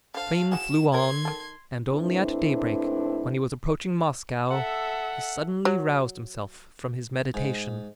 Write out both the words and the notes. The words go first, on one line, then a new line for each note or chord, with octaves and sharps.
The train flew on, and only at daybreak, when he was approaching Moscow, he suddenly roused himself from his meditation.
D3 C5 F5 A5
F#4 G#4 E7
A#4 C#5 C6 G#6
D#3 A4
D#2 A2 C4 D4 E4 B4
A4 E5 F#5
F#3
G#2